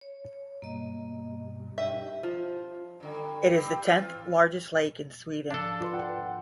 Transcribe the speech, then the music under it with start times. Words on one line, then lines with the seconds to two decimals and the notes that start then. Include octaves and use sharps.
It is the tenth largest lake in Sweden.
0.01 C#5
0.62 G2 B2 G3 A#3 D#5
1.78 D4 D#4 G4 D#5 E5 G5
2.23 F3
3.00 G2 D3
3.50 G2 C4 G4
3.83 E3 C4 F4
5.51 G#2 F3 D4 A4
5.81 F4 B4 D5 C6
5.93 F#5 G5
6.09 B4